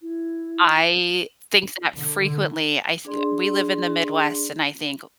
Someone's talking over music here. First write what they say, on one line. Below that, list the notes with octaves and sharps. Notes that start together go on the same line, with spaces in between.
I think that frequently, I f we live in the Midwest and I think
E4
D3
D4 G#4 D5 C6